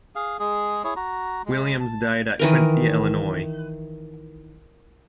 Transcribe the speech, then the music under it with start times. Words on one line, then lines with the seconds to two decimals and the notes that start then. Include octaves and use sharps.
Williams died at Quincy, Illinois.
0.15 G#4 F5
0.39 G#3 G#4
0.84 E4 G#4 C#5
0.96 F#4 A#5
1.46 G#3
1.80 A5
2.39 D#3 E3 A#4